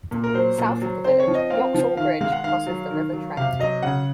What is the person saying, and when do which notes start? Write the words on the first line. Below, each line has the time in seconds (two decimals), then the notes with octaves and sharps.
South of the village, Yoxall Bridge crosses the River Trent.
0.11 A#2
0.24 A#4
0.34 F#3 C5
0.58 A#2
0.82 F#3
1.04 C4 C5
1.20 C#5
1.28 F3
1.35 D#5
1.50 C4 F5
1.74 F3
1.97 D#3 F5
2.21 G#3 F5
2.32 F#5
2.44 D#3 F5
2.67 F#3
2.90 D#3
3.13 F#3
3.37 C3 F5
3.60 F#3 D#5
3.82 C#3 F#5